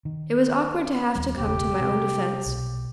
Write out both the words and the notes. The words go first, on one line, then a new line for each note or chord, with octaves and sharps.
It was awkward to have to come to my own defense.
D#3
D#2 G3
E1 A1 C#3 G4
C3 G3
B1